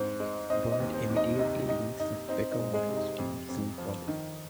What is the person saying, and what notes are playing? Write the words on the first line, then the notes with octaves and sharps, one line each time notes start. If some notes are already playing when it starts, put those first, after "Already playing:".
Boyd immediately leaves and Picker and his team soon follow.
Already playing: G#2 C4 C5
G#3
C4 D#4 D#5
D#4 D#5
D#2
C4 C5
D#2
D#4 D#5
C3 D#4 D#5
D#4
D#4
C4 D#4
D#4
G#3
G#3 G#4
C3
D#4
F2
F2
F3
D#3